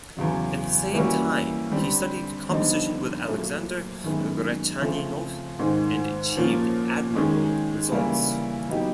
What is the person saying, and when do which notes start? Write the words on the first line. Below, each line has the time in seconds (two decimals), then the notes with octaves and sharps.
At the same time, he studied composition with Alexander Gretchaninov and achieved admirable results.
0.17 E2 C#3 F#3
0.94 E3 G3 A#3 C#4 F#4
1.72 D3 G3 C4
2.49 F2 D3 G3 B3 D#4
3.27 A#2 F#3 A3
4.04 F#2 D#3 G#3 B3
4.81 C#3 F3 A3 C4
5.59 G#2 D#3 G#3
6.37 A#2 F3 A#3 C#4
7.14 D#3 G#3 C#4
7.92 C#3 E3 G3 A#3
8.69 F#3 B3 D#4 G4